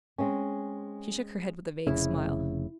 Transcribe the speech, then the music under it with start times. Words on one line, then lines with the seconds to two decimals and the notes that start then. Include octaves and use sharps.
She shook her head with a vague smile.
0.18 G#3 C4 C#4
1.87 F1 C#3 E4